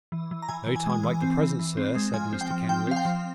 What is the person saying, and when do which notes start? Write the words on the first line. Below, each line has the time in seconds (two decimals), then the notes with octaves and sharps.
'No time like the present, sir,' said Mr Kenwigs.
0.12 E3
0.31 E3
0.42 A#5
0.49 E3 G#5
0.67 E3
0.76 G#5
0.86 G#3 G#5
1.03 E3
1.22 C4
1.41 E3
1.59 E3
1.77 C4
1.95 G#3
2.13 F3 G#5
2.33 C4
2.41 G5
2.50 F3
2.69 F3 G5
2.87 C4 F5
2.96 G5
3.05 F3